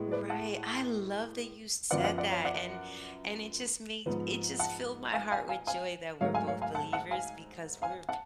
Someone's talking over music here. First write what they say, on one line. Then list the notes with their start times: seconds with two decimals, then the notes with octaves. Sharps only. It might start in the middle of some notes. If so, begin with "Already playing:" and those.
Right, I love that you said that and, and it just made it just filled my heart with joy that we're both believers because we're
Already playing: A2 G#3 B3
0.11 B4 D5
0.30 F#5 A5
1.91 F#2 F3 B3 D5 F#5
1.99 F5
2.04 D5 F#5
2.18 D5 F#5
2.31 C#5 F5
2.45 D5 F#5
4.06 G#2 F3 B3
4.60 F#5 A5
5.13 F5 G#5
5.32 F5 G#5
5.49 F5 G#5
5.67 F5 G#5
6.21 G#2 F#3 A3 C#5 F5
6.34 F5 G#5
6.47 C#5 F5
6.62 F5 G#5
6.75 F#5 A5
6.93 F#5 A5
7.11 F5 G#5
7.82 F5 G#5
8.09 F#5 A5